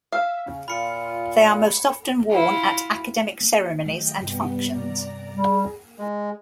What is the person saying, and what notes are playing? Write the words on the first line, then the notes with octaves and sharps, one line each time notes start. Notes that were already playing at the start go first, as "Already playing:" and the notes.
They are most often worn at academic ceremonies and functions.
E5 F5
C#3
A#2 F4 B5 C#7
E4 F4
A#3
D#3 F#3 A3 D#5 G5
G2 C3 G3 B3
D5 A#5
G3 G#4
G#3